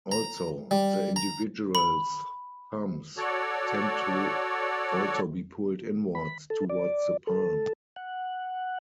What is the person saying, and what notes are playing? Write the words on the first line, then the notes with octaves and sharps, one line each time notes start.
Also, the individual's thumbs tend to also be pulled inwards towards the palm.
A#5
G3
A#5
B5
F#4 A4 C#5 D5
B5
A4
D5
A4
F#5